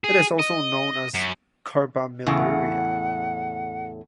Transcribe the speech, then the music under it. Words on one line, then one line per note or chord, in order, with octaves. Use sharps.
It is also known as carbamylurea.
G#4
D#5
F#2
E2 A2 C#3 F#5